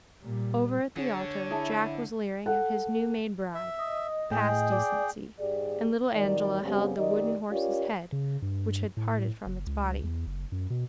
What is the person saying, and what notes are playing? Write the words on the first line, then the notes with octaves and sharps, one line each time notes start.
Over at the altar Jack was leering at his new-made bride, past decency; and little Angela held the wooden horse's head, which had parted from its body.
A#2 G3
D3 G#4 C#5
E4 G#4 E5 A5
A4 F#5
E5
D#5
A2 G#4 G5
D5
G#2 G4 G#4 D5
F2 A2 D#3 F#3 D5
F#2 C#3 G3 B3 C4 G4
F#2 D#3 G4 D5 D#5
C#4 F4 G4 A#4 C#5 D5
C#3
G2
A2
F#1
C#2
E2
F#1
F#2
B2